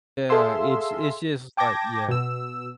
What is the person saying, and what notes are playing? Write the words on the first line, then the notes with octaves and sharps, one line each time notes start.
Yeah, it's it's just, like yeah.
G#4 A4 E5 F5 C6 E6
G5 A5 D6 G6 G#6 A#6
B2 E6